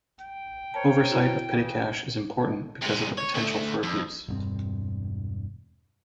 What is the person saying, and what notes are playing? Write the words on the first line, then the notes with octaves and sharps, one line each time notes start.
Oversight of petty cash is important because of the potential for abuse.
G5
A#4 C5 C#5 A5
B3 E4 F#4
C#3 E3
C3 G#3
C#5
D2 A3
F2
E1 G2 C4